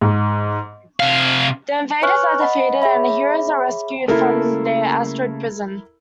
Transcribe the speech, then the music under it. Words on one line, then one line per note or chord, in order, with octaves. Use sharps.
The invaders are defeated and the heroes are rescued from their asteroid prison.
G#2
C3 F5
B4 C#5 G#5 C#6 F6 F#6
D#5 F#5 B5
G#4 C#5 E5 B5
C#3 A3 A#3 E4 A4 A#4